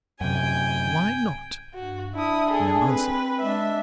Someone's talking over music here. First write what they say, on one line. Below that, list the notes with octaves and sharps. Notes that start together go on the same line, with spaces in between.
"Why not?" No answer.
F#2 C3 G5 G#5
G2 F#4
D4 E4 D#6
G#4 A4
C4 B4
G#3 D4 E5